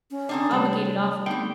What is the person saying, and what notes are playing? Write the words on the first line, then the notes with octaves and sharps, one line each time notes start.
Obligated awful.
C#4
D3 C4 D4 G#5 A#5 D#6
C3 G3 A3 D4 C5 C#5 A5
D3 A3 B3 C4 D#4 G5